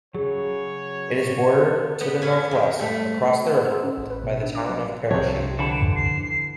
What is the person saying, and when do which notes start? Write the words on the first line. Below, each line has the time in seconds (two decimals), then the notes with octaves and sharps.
It is bordered to the northwest, across the river, by the town of Parachute.
0.14 C#3 F#3 G#4 C#5
2.01 B3
2.22 C#4 B4
2.51 F2
2.79 G3 A3 A4
3.47 F#5
3.65 E6
3.83 C#4
3.98 A1
4.10 B4
4.24 B2
4.43 D4
4.55 D6
4.70 F#3
5.11 C2 C3 F3 C4 C#5
5.59 D3 E3 B5 E7
5.96 C7